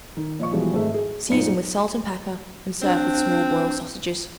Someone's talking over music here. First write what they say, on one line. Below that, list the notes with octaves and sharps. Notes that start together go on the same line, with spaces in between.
Season with salt and pepper, and serve with small boiled sausages.
D#3
A#2 F3 D#5 C#6
B2 E3 F3 G3 G#3
G#1 A3 G#4 E5
G#4
F#2 A#2 C4 D#4 C#7
C4 D4